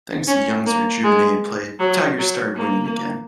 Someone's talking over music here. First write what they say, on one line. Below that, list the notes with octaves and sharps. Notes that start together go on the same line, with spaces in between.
Thanks to Young's rejuvenated play, the Tigers start winning again.
C#4
A#3
G#3
F#3
F#3
A#3